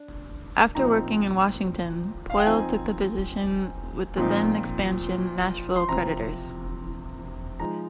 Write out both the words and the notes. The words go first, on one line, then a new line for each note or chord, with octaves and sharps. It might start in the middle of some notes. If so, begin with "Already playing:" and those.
After working in Washington, Poile took the position with the then-expansion Nashville Predators.
Already playing: D4
A#2 F3 C4 D#4 A#5
F5
G5
F3 C4 D#4 G#5
A#2 F3 C4 D#4
C6
C3 F3 C4 A#5
F3 G#3 D#4 A#5